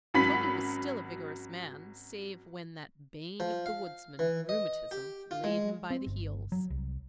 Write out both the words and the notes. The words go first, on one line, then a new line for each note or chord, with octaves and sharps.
Toby was still a vigorous man save when that bane of the woodsman, rheumatism, laid him by the heels.
G#1 F#3 C#4 B5 B6
F3
F5
E3
D#5
G4
F4
G#3
C4
G1
F#3
C2